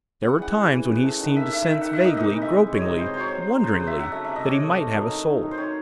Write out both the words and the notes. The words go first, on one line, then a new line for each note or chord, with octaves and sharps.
There were times when he seemed to sense vaguely, gropingly, wonderingly, that he might have a soul.
C#3 F#5
E3 F#5
E3
E3
C#3
A3
D#3 F#5
D#3 E5
D#3 E5
D#3 E5
D#3 F#5
E5
D#3 D#5
C3 D#5
E3
E5
G#3
G#3
C#5
C3 D#5
E3 C5
C#5
F#3 C5
C#5
F#3 C5
F#3
C#3 C5
C#3
E5
F#3 F#5
A3 E5
C3 E5
D#5
C3 C#5
A3
A3
F#3
D#3
D#3
D#3
C5
D#3 C#5